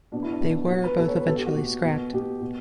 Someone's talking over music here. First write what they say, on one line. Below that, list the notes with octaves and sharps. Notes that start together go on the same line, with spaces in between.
They were both eventually scrapped.
B2 D4
E4
D4
B2 E4
D4
B2 F#4
B4
B2 A4
C#5
B4
B2 A4
G4
F#4
B2
B2
B2 G4
B2